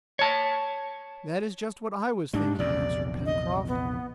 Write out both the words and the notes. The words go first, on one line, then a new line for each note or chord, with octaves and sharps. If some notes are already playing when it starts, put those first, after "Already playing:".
"That is just what I was thinking," answered Pencroft.
C#5 A5
G#2 G3 D4
A#1 E2 C3 D5
D#5
B3